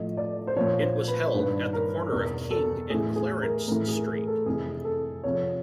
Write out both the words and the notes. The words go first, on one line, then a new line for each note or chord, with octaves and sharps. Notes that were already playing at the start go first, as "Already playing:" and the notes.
It was held at the corner of King and Clarence Street.
Already playing: A2 F3 D#5
D5
C5
A#2 F3 C#5
C5
B4
G2 D#3 B4
A#4
E2 B2 A#4
A4
A2 E3 G#4
G#4
A#4
A2 E3 A#4
G#4
G#4
A4
F2 C3 E3 G#4
A4
F2 C3 F3 C#5